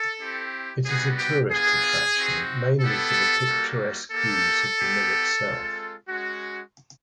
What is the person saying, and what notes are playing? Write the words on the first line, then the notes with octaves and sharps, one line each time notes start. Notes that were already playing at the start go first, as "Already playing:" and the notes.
It is a tourist attraction mainly for the picturesque views of the mill itself.
Already playing: A4
C4 E4 G4
G3 B3 D#4 F#4 G#4
G4
B3 D4 F4 G#4
C4 D#4 F#4
B3 E4 G4 A4
G3 A#3 D#4 F#4
A#3 D#4 G4 A4
B3 D#4 G4
G#3 C4 F4
G#3 C#4 F#4